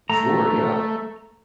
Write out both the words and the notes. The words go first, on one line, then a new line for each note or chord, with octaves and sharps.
Sure, yeah.
A3 A#5